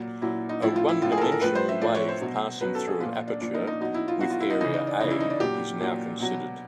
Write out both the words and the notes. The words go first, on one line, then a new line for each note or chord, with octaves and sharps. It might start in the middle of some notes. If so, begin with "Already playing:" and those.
A "one dimensional" wave passing through an aperture with area "A" is now considered.
Already playing: A#2 F#3
A#2 F#3 E4
D#4
A2 F3 E4
F4
E4
A2 F3 F4
G#4
A#4
A4
A#4
A2 F3 B4
C5
E5
A2 F3 D5
C#5
C5
B2 F#3
B2 F#3 B4
A4
G#4
A#2 F3 F4
D4
A#2 F3 D4
D#4
D#4
B2 F#3 D#4
E4
F4
B2 F#3 F#4
F4
E4
D#4
C#3 E3 D#4
D#4
D4
C#3 E3 D#4
E4
D#4
D4
A#2 F#3 G4
A#2 F#3
B2 F#3